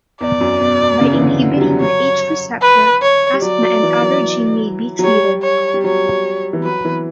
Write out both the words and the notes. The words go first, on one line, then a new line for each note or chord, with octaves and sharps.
By inhibiting the H receptor, asthma and allergy may be treated.
E2 D5
F#2
B2
B2
C#3
E3
D3
D3
G3
F#3
F#3 C#5
B4
C#5
G3
F#3 D5
F#3
E3
F#3
F#3
G3 C#5
C#5
G3
F#3 C#5
E3
F#3 B4
E3